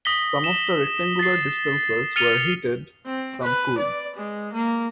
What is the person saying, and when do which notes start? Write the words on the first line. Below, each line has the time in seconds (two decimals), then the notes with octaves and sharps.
Some of the rectangular dispensers were heated, some cooled.
0.05 D#6 A#6 B6 G7
0.44 E7
1.19 A6 C7
2.16 F6 A6 C#7 D#7 F7 G7
3.06 C4
3.43 B4
3.78 D5
4.16 G#3
4.53 A#3